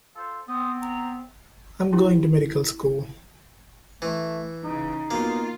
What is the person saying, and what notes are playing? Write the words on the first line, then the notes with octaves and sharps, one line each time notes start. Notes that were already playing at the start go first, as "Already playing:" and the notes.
I'm going to medical school.
F4 A4 C5
B3 C4 D#6
A#5
C#4 E4 G4
E3 A3
C#3 D#4
B2 A#3 F4